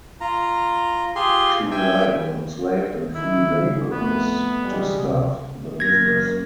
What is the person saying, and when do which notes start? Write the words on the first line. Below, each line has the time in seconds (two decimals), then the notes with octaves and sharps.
She relied on enslaved and free laborers to staff the business.
0.21 F4 A#5
1.15 F4 G4 G#4 C6
1.71 E5 G5 G#5
3.15 D#3 E4
3.63 C#3
3.92 F2 A3 B3
4.63 G3 G#3
5.03 C#2 C3
5.80 F#2 A#3 A#4 G#6 A#6